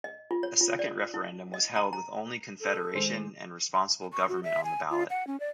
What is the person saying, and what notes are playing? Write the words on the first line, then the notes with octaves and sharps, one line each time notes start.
A second referendum was held with only confederation and responsible government on the ballot.
D#5
F4
C#5
F4
D5
E4
D#5
A#5
A#5
A4
D#3 G#3 C5
C#6
F#4
E5
G#5
F4
F#5
C#4
D5